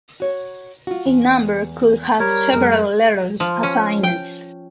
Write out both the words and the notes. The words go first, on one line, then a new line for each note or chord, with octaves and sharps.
A number could have several letters assigned.
F#4 C#5
F4 F#4
E2
G3 A#4 C#5
F#2 G#3 A#4
F3
C#4
G5